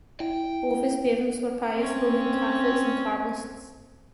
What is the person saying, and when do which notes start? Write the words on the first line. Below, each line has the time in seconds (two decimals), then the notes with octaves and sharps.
Both his parents were pious Roman Catholics and Carlists.
0.20 E4 G5
1.75 C4 C#4